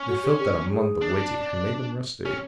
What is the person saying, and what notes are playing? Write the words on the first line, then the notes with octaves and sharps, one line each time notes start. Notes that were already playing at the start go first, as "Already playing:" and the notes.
They felt that a month of waiting had made them rusty.
Already playing: C#4
F#4
G4
G4
G#4
D4
C#4 G4